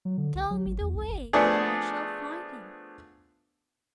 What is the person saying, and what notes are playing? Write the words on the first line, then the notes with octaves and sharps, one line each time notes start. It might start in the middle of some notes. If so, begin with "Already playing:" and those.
"Tell me the way, and I shall find him!"
F#3
D3
C2
F#3
G#1
E2
C2
G1
F3 A3 B3 D4 G#4